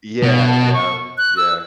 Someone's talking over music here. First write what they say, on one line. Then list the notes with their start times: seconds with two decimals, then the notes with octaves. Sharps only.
Yeah, yeah, yeah.
0.23 B2
0.48 A5
0.73 C#6
1.18 F#6
1.37 E6